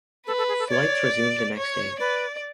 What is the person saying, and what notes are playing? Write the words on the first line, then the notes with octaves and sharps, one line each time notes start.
Flights resumed the next day.
A4 B4
A4
G#4
A4
C#5 D5
C#5
B4 D5